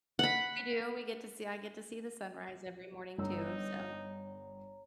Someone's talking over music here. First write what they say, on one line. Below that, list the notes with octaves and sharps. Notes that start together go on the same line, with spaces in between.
We do, we get to see I get to see the sunrise every morning, too, so
F#5 B5
G1 D#4 C#5 A#5 E6